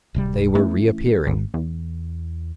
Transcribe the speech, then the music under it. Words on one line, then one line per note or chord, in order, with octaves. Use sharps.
They were reappearing.
D1 C3 G3
E3 A3 C#4
G#1
E2